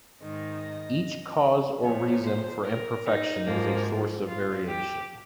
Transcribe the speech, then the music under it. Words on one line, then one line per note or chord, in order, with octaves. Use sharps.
Each cause or reason for imperfection is a source of variation.
G#2 D#3 D#5
A#2 F3 C#5
C5
A#4
D#4
G#2 F3 A#3
F4
G4